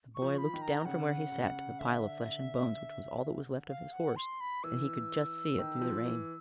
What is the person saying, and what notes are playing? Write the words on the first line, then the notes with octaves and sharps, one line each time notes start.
The boy looked down from where he sat to the pile of flesh and bones, which was all that was left of his horse, and he could just see it through the rain.
C#6
F3
B5
D#3
A#5
C#3 F#5
C#3
D3 E5
F5
F#5
C6
B5
E3 E6
D#3
F3
E3